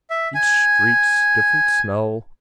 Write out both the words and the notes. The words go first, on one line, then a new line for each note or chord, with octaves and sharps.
Each street different smell.
E5
G#5